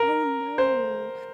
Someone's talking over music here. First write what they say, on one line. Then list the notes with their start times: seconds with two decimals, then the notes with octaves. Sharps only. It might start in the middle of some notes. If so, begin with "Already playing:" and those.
Oh, no.
Already playing: A#4
0.58 C5